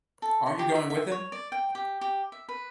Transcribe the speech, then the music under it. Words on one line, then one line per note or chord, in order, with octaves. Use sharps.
Aren't you going with him?
A4
C#6
G4
E5
E5
C#5
D5
G5
G4
G4
E5
B4